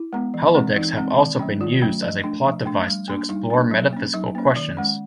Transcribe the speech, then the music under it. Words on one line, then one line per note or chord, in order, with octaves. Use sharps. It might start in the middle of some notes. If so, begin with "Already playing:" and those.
Holodecks have also been used as a plot device to explore metaphysical questions.
Already playing: E4
G#3 B3
E3
G#3 C4
E3 D#4
G#3 C4
D#3
F#3 A3 C#4
D#3 F4
F#3 A3 C#4
F3
A3 D4
F3
A3 D4
G3
A#3 D4
G3 D#4
A#3 D4
F#3
A#3 C#4
F#3 D#4
A#3 C#4
D#3
G#3 C#4